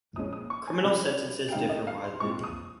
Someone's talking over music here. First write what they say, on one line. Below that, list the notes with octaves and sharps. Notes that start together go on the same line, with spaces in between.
Criminal sentences differ widely.
A#2 F3 G#3 C#4 F4 D#6
D#6
C#6
G#5
C#3 F3 G#3
G5
D#2 C#3 G#3 C4 D#4 F5
D#5
F5
C6
A#2 G#3 C4 F4 C#6
D#6